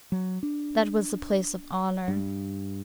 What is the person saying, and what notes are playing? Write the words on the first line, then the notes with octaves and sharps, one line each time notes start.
That was the place of honor.
F#3
D4
G2